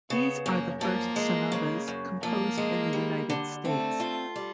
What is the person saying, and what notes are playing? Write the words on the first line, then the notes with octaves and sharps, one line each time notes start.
These are the first sonatas composed in the United States.
C#3 B3
F#2 A#3
F3 A#3
G#3
C#3
F#2
F3 A#3
G#3
G3
D3
A3 C4
F4
G3